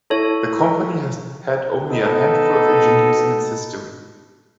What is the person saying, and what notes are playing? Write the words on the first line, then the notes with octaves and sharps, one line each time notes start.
The company has had only a handful of engineers in its history.
E4 A4 C#5 A5
B3 D#4 A4